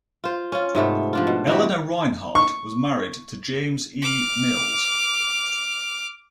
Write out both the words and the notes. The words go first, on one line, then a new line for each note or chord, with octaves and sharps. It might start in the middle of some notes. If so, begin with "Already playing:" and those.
Eleanor Reinhardt was married to James E. Mills.
F4 C5
C#4 F4
G#2 C3 A3 B3
F3 D4 F4
B2
E3 F#4 G4
C#6
D6 F6